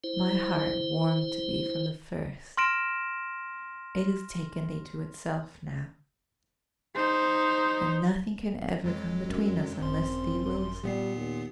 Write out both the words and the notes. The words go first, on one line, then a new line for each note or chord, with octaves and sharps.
My heart warmed to thee from the first: it has taken thee to itself now; and nothing can ever come between us, unless thee wills it.
E4 C5
C6 F6 A#6 D7 E7
D#4 C5
F2 F#3 G#3
F#2
G#1 F#2 C4 C6
A#2 G3 B3 C7
D#2